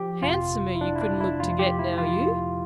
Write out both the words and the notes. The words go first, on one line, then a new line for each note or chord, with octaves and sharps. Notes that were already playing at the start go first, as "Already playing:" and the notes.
Handsomer you couldn't look to get, now you.
Already playing: F3 G4
G1 F2 C3 F4
E4
D4
E4
D4
E4
F2 C3 F3 A3 F4
G4
E4
F4